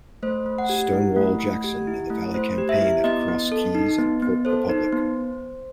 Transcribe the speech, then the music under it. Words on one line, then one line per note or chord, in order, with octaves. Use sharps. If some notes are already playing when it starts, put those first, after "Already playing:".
"Stonewall" Jackson in the Valley Campaign at Cross Keys and Port Republic.
A3 C5
A3
F#5
G4
E4
A3
A3
G4
E4
A3
A3 C5
G4
E5
E4
B3 D#5
B3
A4
D#4
B3
B3
A4 C5
D#4
B3